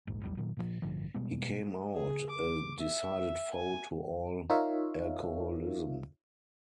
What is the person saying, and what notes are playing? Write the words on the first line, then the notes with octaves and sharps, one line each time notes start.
He came out a decided foe to all alcoholism.
D#1 A#1 G#2
A#1 E2 F#3 G3
A#2 D#3 F#3
A#2 F3
A1 G2 D3 F3
B2 G3 G#3 B3
G#4
D6
E5
G#5
D#4 F4 A#4 C#5 E5 F5